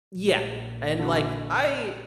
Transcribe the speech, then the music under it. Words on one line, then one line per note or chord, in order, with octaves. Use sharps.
Yeah. And, like, I
A#1
D3 F#4